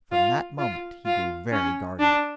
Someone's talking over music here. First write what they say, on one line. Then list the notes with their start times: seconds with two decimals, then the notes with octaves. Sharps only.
From that moment he grew very guarded.
0.12 F4
0.59 F4
1.06 F4
1.52 C#4
1.99 D4